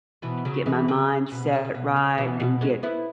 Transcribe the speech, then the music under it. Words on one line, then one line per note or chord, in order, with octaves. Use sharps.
get my mind set right and get,
B2 E3
C#3 F#3
E3 G#3
C#3 F#3
B2
C#3
C#3
B2
C#3
B2 E3
B2
G#3 C#4
B3 E4